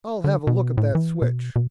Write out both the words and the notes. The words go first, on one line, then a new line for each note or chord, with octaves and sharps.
I'll have a look at that switch.
D3
B2
A2
E3
B2
B2